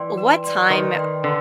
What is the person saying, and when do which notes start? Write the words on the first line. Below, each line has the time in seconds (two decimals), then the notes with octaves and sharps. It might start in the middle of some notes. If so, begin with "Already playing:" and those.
what time
Already playing: E3 D5 G5 C6
0.18 B4
0.44 D5 G5 C6
0.70 D#3 B4
0.97 D5 G5 C6
1.23 D3 B4